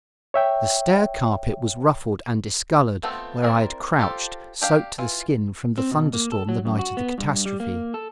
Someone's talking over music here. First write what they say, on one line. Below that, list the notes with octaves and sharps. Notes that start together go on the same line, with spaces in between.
The stair carpet was ruffled and discoloured where I had crouched, soaked to the skin from the thunderstorm the night of the catastrophe.
C#5 E5 G5
A3 B3 C4 F4 A4
C4 E4 G#4 A#4 D5
F4 G4 A4 C5
D4 G4 F5
E3 F4
C4
B2
A#3
A4
F#3
F#2
F#4
B3
G2
G3
A#3
A4